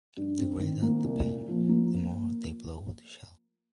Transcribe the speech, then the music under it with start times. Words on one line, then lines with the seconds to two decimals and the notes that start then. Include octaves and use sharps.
The greater the pain, the more they blow the shell.
0.17 G2
0.39 C4
0.60 D#3
0.82 A#3
1.04 C2
1.25 A#2
1.48 F3
1.69 A#3